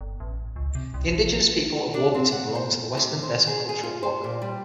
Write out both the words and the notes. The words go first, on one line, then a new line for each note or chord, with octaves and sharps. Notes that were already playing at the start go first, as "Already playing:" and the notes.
The Indigenous people of Warburton belong to the Western Desert Cultural Bloc.
G1
A1
C#2
C3
C2
A1
D4
C4
F#5
C5
C3
C5
G#4
G#4
F4
C5
A#2
G3